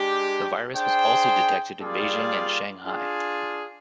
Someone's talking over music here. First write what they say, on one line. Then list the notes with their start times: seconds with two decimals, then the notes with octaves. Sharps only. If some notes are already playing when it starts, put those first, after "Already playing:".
The virus was also detected in Beijing and Shanghai.
Already playing: G#3 D4 G4
0.76 D4 G#4 C5 G5
1.80 G3 A#3 F4 G#4 D5
2.84 D4 F4 G#4